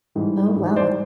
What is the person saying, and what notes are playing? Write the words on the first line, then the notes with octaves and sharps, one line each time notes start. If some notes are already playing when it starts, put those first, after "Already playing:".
Oh, wow.
G#2 E3 G3
G#2 E3 G3
C5 D5